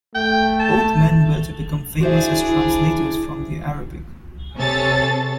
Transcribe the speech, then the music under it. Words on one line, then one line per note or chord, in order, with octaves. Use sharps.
Both men were to become famous as translators from the Arabic.
A3 G5
A5
D4 E4 F#4 G#4 C5 E5
C3 G#4 A4 C#5 A6